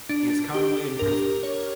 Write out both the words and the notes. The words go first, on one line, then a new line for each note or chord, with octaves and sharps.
He is currently in prison.
D4
G4
A#4
C#5